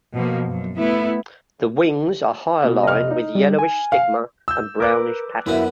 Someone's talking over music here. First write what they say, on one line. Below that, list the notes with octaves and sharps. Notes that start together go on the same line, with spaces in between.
The wings are hyaline with yellowish stigma and brownish pattern.
B2 F3 A#3
F#2
A3 B3 E4
B2
F1 D#5 F6
D#4
G3
G#5
F5
E6 G6
A#4 B4 D6 F#6
F#2 B3 E4 F#4 E5